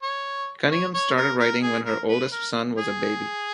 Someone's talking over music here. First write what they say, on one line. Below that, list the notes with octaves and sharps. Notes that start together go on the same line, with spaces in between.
Cunningham started writing when her oldest son was a baby.
C#5
C#5
C#5
A#4
A#4
G#4
A#4
B4
A#4
G#4